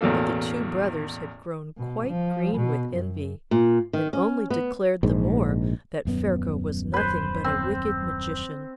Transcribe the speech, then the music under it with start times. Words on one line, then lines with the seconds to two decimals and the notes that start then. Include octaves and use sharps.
But the two brothers had grown quite green with envy, and only declared the more that Ferko was nothing but a wicked magician.
0.01 A1 E2 B2 A#3 A4
1.77 B2
2.08 F3
2.56 B2
2.94 F#2
3.51 A#2
3.93 D#3
4.13 C#4
4.50 B3
5.03 A#1 G#2
6.05 D#1 F#2 B3
6.94 B4 C5
7.44 C4